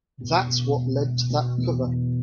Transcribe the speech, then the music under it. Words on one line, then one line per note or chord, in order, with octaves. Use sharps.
That's what led to that cover.
E1
E1
E1
E1
B2
E2
E1